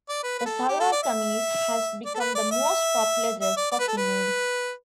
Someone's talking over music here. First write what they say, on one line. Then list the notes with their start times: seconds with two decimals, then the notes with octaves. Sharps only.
The salwar kameez has become the most popular dress for females.
0.09 D5
0.24 B4
0.39 B4
0.46 A4
0.69 G4
0.80 A4
0.92 D5
1.03 E5
2.06 D5
2.15 A4
2.20 B4
2.35 D5
2.51 E5
3.42 E5
3.57 D5
3.72 D5
3.80 B4
3.88 A4
3.97 B4